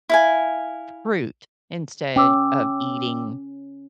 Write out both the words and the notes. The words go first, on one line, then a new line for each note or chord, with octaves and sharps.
fruit instead of eating
E4 F5 G#5
C#4 G5 D6 E6